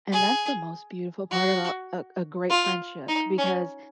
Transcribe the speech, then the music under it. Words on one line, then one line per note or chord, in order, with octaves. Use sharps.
And that's the most beautiful part about a a great friendship, because
G#4
F#4
F4
D#4
C#4